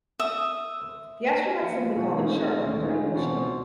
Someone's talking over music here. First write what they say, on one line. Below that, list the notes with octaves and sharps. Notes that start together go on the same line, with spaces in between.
The astronauts simply called it "Sharp" during the mission.
E5 D#6
F3 A#3 C#7
B2 E3 F3
G#3 A3 C4 C#4 D#4 E4
D#1 G#3 A3 C#4
E3 D#4 F4
B2 C4